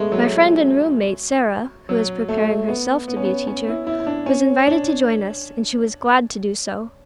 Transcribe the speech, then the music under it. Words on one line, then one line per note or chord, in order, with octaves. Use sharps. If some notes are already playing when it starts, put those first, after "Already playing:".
My friend and room-mate Sarah, who was preparing herself to be a teacher, was invited to join us, and she was glad to do so.
Already playing: G#3 A3 B3
F#3
F#3
A3
B3
B3
C#4
B3
C#4
E4
E4
E4
D4
C#4
D4